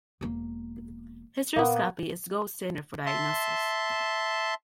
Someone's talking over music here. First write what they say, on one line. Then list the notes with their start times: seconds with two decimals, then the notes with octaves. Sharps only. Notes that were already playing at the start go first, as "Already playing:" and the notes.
Hysteroscopy is the gold standard for diagnosis.
0.21 E1 A#3
1.56 A#2 A#3 B3
3.06 E5 A5 C6